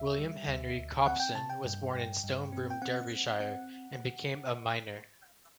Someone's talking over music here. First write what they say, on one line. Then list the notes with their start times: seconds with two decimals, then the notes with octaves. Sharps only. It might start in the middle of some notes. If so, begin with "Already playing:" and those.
William Henry Copson was born in Stonebroom, Derbyshire, and became a miner.
Already playing: D2 E5
0.18 G3
0.47 D2
0.77 D2
1.06 C4 F#5
1.20 G5
1.35 C3 A5
1.50 G5
1.65 G2
1.94 G2
2.24 G2
2.52 C4
2.70 G5
2.82 C4 F#5
3.11 C4
3.40 C4 F#5